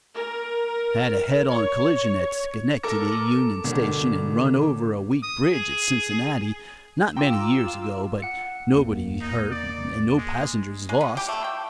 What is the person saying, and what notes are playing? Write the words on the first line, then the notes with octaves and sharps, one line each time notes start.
Had a head-on collision at Schenectady union station and run over a weak bridge at Cincinnati, not many years ago, but nobody hurt, and no passengers lost.
A#4
C#5
A4 A#4 D6 A#6
G1 B2 D3 A#3
D#6
G#4
F4 F5 G5 A#5 C6 D6 E6
F#5 C#7
A1 E2 A#3
D#4
D5
G#3
G#3
B3
G4
A3
G5